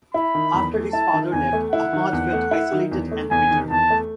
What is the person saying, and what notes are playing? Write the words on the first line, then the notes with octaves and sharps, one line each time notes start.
After his father left, Ahmad felt isolated and bitter.
E4 B5
D#3
E2
A3
E4 A5
D#3
E2 G#5
A3
E4 F#5
D#3
E2
A3
E4
D#3
E2
A3
E2 G#5
D#3
E2 A5
A3